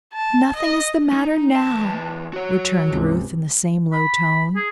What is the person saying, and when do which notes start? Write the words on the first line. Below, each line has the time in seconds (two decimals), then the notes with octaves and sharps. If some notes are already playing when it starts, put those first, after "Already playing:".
"Nothing is the matter now," returned Ruth, in the same low tone.
0.14 A5
0.56 D#5
1.13 D#4
1.56 E2 A5
2.33 F#4 C#5
2.87 C#2 G2 C3
3.93 B5
4.56 G#4